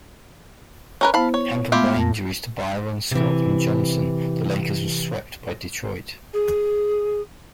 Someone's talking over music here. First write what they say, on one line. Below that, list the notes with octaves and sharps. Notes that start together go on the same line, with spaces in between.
Hampered by injuries to Byron Scott and Johnson, the Lakers were swept by Detroit.
C#4 A#4 B4
B3 E4 C5 F5 A5 B5
C#5
G#3 A3 B3 E4 F4 G4
F2 A5 A#6
C3 E3
G#4